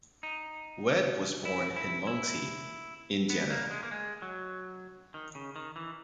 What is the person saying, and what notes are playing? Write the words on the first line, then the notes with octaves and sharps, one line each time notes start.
Wead was born in Muncie, Indiana.
D#4
E4
E4
E4
B3
A#3
G#3
A#3
G#3
F#3
D#3
C#3
D#3
E3